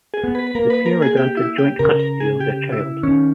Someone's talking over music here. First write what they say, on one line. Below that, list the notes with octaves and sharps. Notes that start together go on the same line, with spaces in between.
The pair were granted joint custody of their child.
G#4
B3
B4
B4
A#3 A#4
B4
A#4
G#4
G4
E4
G4
C#3 A#4
A#4
G#4
G4
E4
D#3 C#4